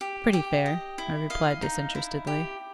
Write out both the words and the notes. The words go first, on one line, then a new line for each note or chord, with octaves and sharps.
"Pretty fair," I replied disinterestedly.
G4
G4
D#5
E4
D#5 F5
D#4
E4
G4